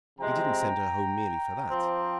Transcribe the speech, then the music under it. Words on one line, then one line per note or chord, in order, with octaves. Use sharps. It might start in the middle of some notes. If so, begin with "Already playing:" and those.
He didn't send her home merely for that.
C3 F3 G#3 C4 G5 A#5
F3 C4